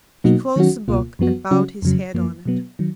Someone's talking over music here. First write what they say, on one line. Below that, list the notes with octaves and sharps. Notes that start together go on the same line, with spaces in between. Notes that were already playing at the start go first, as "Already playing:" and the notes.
He closed the book and bowed his head on it.
B2 F#3 A#3 D#4 F#4
D#3 F#3 C#4 F#4
C#2 B2 A#3 F4
F#2 F3 B3 F#4
C#3 F#3 C#4 F#4
F2 C#3 F#3
F#2 F3 A#3
B2 F#3 B3
D#3 F#3